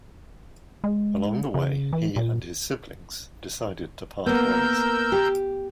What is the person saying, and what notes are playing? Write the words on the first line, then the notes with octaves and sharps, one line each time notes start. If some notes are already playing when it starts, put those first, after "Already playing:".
Along the way, he and his siblings decided to part ways.
G#3
C#3
E3
A#2
A#3 B3 A#4 E6 G6
G4